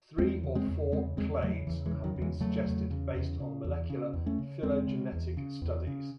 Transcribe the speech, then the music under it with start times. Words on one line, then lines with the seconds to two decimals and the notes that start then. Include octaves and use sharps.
Three or four clades have been suggested based on molecular phylogenetic studies.
0.18 E2 G#3 C4
0.44 C#3
0.55 G#3 C4
0.68 E2
0.92 C#3 G#3 C4
1.17 E2 G#3 C4
1.42 C#3 F#3 A3
1.67 E2 E3
1.86 E3 G#3
1.91 C#3
2.04 D#3 F#3
2.16 E2
2.22 E3 G#3
2.40 C#3 F#3 A3
2.66 E2
2.91 C#3
3.15 E2
3.40 C#3
3.64 E2
3.90 C#3
4.13 E2
4.26 A3 C#4
4.38 C#3
4.63 E2 G#3 C4
4.87 C#3
5.12 E2
5.37 C#3
5.62 E2
5.87 C#3